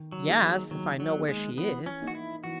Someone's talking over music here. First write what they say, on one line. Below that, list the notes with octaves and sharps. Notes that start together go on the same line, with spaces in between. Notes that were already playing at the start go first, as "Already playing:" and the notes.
"Yes, if I know where she is!"
Already playing: D#3
F#3
A#3 D#4 G#4
F#3
D#3 F#3
F#3
A#3 D#4 G#4
G#3
E3 B3
C#4
A#3 D#4
F#4
E4
E3 F#4